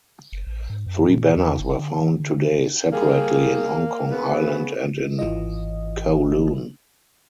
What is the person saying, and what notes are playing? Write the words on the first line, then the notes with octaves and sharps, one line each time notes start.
Three banners were found today separately in Hong Kong Island and in Kowloon.
F#1
A1
G#2
F#2
A#2
E2
F#1
D3
E3
D3
G3 A#3 G#4
C#3 B3 B4
G#1 E3 F4 D#5